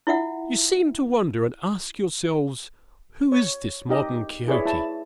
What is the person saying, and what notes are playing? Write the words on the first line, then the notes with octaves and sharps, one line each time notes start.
You seem to wonder and ask yourselves who is this modern Quixote.
E4 F4 E5 F#5
C#5
D#4 G4 D#5
E4 G#4 B4 C#5 D5 E5
E4 A5